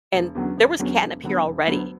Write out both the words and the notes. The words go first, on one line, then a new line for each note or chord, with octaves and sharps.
and there was catnip here already
E1
E2 D3 F#3 C#4
E1
E2 D3 F#3 C#4
E1
D2 D3 F#3 B3
E1
D2 D3 F#3 B3